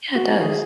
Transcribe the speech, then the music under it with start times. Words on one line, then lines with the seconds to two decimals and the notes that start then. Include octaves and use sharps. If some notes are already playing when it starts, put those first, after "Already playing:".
Yeah. It does.
0.15 F#4
0.37 F#4
0.41 G#4